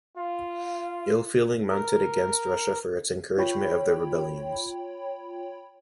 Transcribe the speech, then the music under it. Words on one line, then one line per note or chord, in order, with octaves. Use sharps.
Ill feeling mounted against Russia for its encouragement of the rebellions.
F4 F5
A#4
F4 C#5 G5 B5